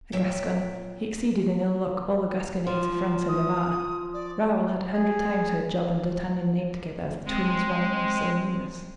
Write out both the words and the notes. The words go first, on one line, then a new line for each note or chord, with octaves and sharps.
A Gascon, he exceeded in ill-luck all the gasconnades of France and Navarre; Raoul had a hundred times heard Job and D'Artagnan named together, as the twins Romulus and Remus.
A#2 F#3 E5 G5
F3
D#6
D5
G#4
G#3 C4 C5